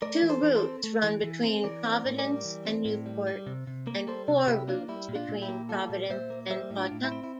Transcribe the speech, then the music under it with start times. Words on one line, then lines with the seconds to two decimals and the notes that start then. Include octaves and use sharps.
Two routes run between Providence and Newport, and four routes between Providence and Pawtucket.
0.02 A3 A#4 D5
0.23 E3
0.29 A4 C5
0.43 E3
0.56 A4 C5
0.63 C4
0.84 A3
1.04 E3
1.24 E3
1.44 C4
1.64 E3 A#4 D5
1.84 C4
1.91 A#4 D5
2.05 A2
2.18 A#4 D5
2.25 G3
2.45 E3
2.65 C4
2.85 A2
3.06 G3
3.27 G3
3.47 C3
3.67 C3
3.87 A#3
4.07 G3 A4 C5
4.28 C3
4.47 C3 E4 G4
4.68 A#3 D4 F4
4.88 G3 E4
5.09 A#2
5.15 D4 F4
5.29 A#2
5.42 E4 G4
5.49 A#3
5.69 G3 F4 A4
5.90 A#2
6.10 A#2 C5 E5
6.30 A#3
6.50 G3 C5 E5
6.71 A2
6.77 D4 F4
6.91 A2
7.04 E4
7.12 C4
7.24 E4